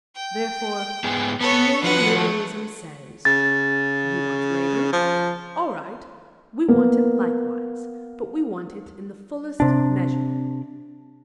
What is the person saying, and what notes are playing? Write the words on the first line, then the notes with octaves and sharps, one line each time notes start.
Therefore humane liberalism says: You want labor; all right, we want it likewise, but we want it in the fullest measure.
G5
G#2 B3 G#4
B3 A4 C#5
F3 F#4 B4 F#5
A3
C#3 A6
F3
A#3 B3
C3 D4